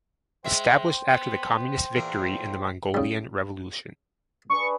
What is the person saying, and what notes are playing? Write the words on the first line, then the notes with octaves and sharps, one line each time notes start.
Established after the communist victory in the Mongolian Revolution.
G#3 C5 E5 G5
B3
E2 A#2 A#4
C#3 G3
D4 G#4 B4 C#6